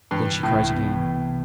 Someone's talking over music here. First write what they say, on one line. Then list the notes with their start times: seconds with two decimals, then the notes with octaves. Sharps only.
Then she cries again.
0.11 G2 E3
0.32 C3
0.43 A2
0.54 C2
0.75 B3
0.96 E3
1.17 C3